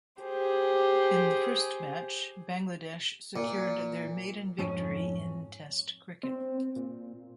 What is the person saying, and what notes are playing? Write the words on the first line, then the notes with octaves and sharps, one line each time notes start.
In the first match, Bangladesh secured their maiden victory in Test cricket.
G4 G#4 C5
A#2
F2 G#2 C#4
C4
A#2